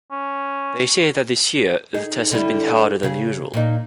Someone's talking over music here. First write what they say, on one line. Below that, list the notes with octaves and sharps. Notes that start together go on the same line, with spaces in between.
They say that this year, the test has been harder than usual.
C#4
D#4 G#4
D3 G3 E4
C#3 G#4
A#2 D#4